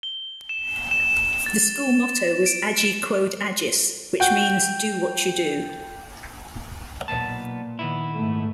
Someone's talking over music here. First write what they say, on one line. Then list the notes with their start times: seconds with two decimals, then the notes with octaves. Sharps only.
The school motto was "Age Quod Agis", which means "do what you do".
0.03 G7
0.49 E7
0.91 E7
1.46 A6
2.46 D7
2.78 E7
4.20 F#4 G5 G6
7.08 B1 A#2 B3 A5
7.79 D#3 B3 E4
8.13 G#2 A3